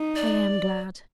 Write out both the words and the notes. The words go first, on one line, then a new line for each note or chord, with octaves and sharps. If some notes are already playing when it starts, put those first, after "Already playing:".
'I am glad.
Already playing: D#4
D5